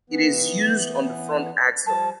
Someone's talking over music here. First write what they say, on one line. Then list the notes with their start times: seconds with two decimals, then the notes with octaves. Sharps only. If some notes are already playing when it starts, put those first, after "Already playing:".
It is used on the front axle.
0.10 E3 B3
1.86 F3 G3 A5